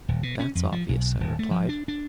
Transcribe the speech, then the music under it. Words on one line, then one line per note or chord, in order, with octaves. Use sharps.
"That's obvious," I replied.
D#1
B2
C#4
F2
F3
B1
D#1
A3
F3
D4
D4